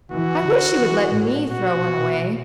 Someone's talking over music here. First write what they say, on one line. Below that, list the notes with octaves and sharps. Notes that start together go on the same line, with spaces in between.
"I wish you would let me throw one away."
E3 F#4
D3
E3
A2
B2 F#4